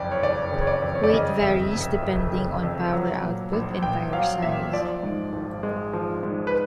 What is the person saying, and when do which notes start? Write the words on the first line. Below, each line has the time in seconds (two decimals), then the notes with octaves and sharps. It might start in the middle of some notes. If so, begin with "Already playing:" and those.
Weight varies depending on power output and tire size.
Already playing: F#1 F2 C#3 D5
0.12 C#5
0.23 F#1 D5
0.52 C#3
0.61 C#5
0.67 D5
0.82 F2
0.95 C#5
1.04 D5
1.13 C#3 D#5
1.42 F2 E5
1.72 F1
2.03 F1
2.33 C#3
2.63 F2
2.93 F#3
3.23 A#2
3.53 A#1
3.83 A#1 G5
4.13 F#3 F5
4.42 A#2 E5
4.73 F3 D5
5.03 G#2
5.33 G#1
5.63 G#3
5.93 F3
6.23 G#2
6.47 B4